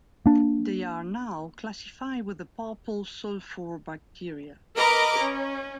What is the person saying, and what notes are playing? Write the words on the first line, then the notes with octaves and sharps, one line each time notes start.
They are now classified with the purple sulfur bacteria.
A#3 D4
A#4 B4 D#5 A#5 D6
C#4